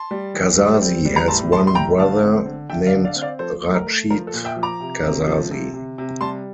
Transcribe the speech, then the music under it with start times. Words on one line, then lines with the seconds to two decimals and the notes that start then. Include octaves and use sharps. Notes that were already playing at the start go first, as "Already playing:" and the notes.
Kazzazi has one brother, named Rachid Kazzazi.
Already playing: A5 C6
0.11 G3
0.34 E3
0.58 G3
0.81 C4
1.05 G3
1.16 A#5
1.28 A2 A5 C6
1.52 G3 A5 C6
1.67 C6
1.75 A2 G5 A#5
1.98 D3 F5 A5
2.23 C4
2.45 D3
2.70 D3 E5 G5
2.86 D5 F5
2.93 D3
3.04 D5 F5
3.16 C4
3.22 D5 F5
3.39 F3 A4 C5
3.63 A3
3.75 A#4
3.87 A3
4.10 F3 A#4
4.27 A4
4.34 A#2
4.45 E5 G5
4.56 F3
4.63 A#5 D6
4.80 C3
5.03 C3
5.27 F3
5.51 C3
5.74 C3
5.98 C3
6.21 G3 A5 C6